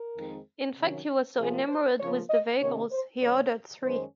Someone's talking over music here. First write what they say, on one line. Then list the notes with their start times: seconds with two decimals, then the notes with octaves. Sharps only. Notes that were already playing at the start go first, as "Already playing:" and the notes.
In fact, he was so enamoured with the vehicles, he ordered three.
Already playing: A#4
0.16 F2 D#3 G#3 C4 D#4
0.77 C3 D#3 F#3 C#4
1.38 C3 F3 A#3 G#4
1.69 C5
1.99 C#3 F3 A#3 C#5
2.30 D#5
2.60 C3 D#3 A#3 C#4 C#5
2.91 C5
3.21 F2 C#3 G#3 C#5
3.82 F#2 D#3 G#3 C#4 C5